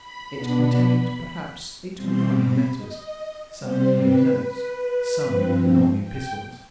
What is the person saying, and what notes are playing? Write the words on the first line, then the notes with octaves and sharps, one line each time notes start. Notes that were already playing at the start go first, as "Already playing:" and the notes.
It contained, perhaps, eight or nine letters,--some mere notes, some long epistles.
Already playing: B5
B2 B3 D4
B2 G3 C4 C6
B5
D#5
C3 G3 C4 C5
B4
G2 F3 C4
G5